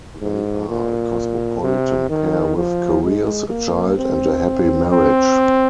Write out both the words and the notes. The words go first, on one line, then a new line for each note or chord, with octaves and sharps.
They are a cosmopolitan pair with careers, a child, and a happy marriage.
G#2
A#2
C3
D#3
F3
G#3
A#3
C4
C4